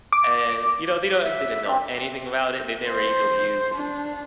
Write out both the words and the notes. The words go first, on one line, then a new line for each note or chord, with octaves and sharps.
and, you know, they don't they didn't know anything about it, they never eve really use
D6
E5
C4 D4
C5
D4